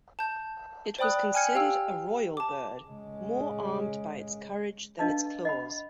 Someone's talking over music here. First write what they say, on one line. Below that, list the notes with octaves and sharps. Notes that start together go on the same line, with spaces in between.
It was considered "a royal bird, more armed by its courage than its claws".
A5 G6
C5 D5 G5 B5 D#6 F#6
G5 G#5 F6 G#6 C#7
G4 F5 G5 E6
A5 D6
C#3 G#3
D4 B4 D#5 F5 A5
D#5 F#5 B5